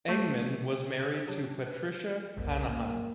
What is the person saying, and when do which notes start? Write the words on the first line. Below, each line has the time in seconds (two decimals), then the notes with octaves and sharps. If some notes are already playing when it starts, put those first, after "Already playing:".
Engman was married to Patricia Hanahan.
0.09 A3
1.28 F#3 D4 G4
1.66 B4
2.37 G1 C2 F#2 A#3